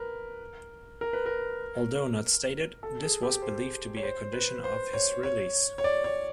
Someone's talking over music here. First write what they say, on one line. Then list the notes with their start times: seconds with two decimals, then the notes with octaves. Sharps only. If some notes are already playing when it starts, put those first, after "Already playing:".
Although not stated, this was believed to be a condition of his release.
Already playing: A#4 B4
1.01 A#4
1.13 B4
1.26 A#4
2.83 A4
3.03 G#4
3.23 G4
3.42 C5
3.97 C#5
4.03 C5
4.33 B4
4.64 C5
4.93 C#5
5.23 C#5
5.78 C#5
5.84 D5
6.04 C#5